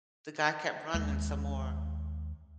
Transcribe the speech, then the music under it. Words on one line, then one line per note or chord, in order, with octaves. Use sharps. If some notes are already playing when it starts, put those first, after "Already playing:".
the guy kept running some more.
D#2 G#3